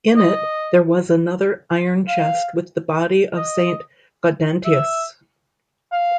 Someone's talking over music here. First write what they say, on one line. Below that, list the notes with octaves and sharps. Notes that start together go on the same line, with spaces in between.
In it, there was another iron chest with the body of Saint Gaudentius.
D#5
F5
D#5
E5
F5